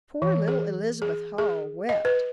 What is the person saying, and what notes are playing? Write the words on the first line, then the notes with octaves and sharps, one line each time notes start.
Poor little Elizabeth Hull wept.
E3
G#4
G#4
G#4
D#5
B4